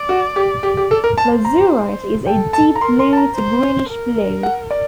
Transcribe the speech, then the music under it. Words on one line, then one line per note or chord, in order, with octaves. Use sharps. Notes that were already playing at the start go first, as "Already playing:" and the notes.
Lazurite is a deep blue to greenish blue.
Already playing: D5
F#4
G4
G4
G4
A4
A#4
C5 A5
A#5
A4 G5
A5
A#5
A#4 C6
C6
A5
A#5
C5
A#4
F#5
D5